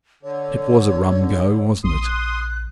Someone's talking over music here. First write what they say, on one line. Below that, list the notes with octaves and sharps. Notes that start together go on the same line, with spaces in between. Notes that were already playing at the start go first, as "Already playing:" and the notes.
It was a rum go, wasn't it?
D3 C#5
A#1 C6 D#6
F#6